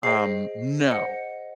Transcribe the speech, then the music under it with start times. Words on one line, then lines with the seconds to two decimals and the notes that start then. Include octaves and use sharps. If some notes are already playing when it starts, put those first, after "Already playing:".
Um, no.
0.03 G#4 C5 D#5 G5 C7
0.91 C5 D#5 F#5 C#7